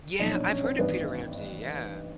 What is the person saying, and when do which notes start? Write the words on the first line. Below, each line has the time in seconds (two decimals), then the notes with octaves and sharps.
Yeah, I've heard of Peter Ramsey, yeah.
0.19 B1 A#2 F3 D#4 D#5
0.30 C#5
0.34 D4 D5
0.49 C#4 C#5
0.64 C4 C5
0.79 A1 G2 D#3 B3 B4